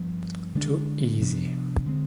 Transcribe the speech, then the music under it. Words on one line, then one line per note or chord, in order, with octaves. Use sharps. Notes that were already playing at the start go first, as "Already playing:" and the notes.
Too easy.
Already playing: G2 F3 B3
D3 G#3 D4
C3 F3 B3 D4
D3 G#3 C4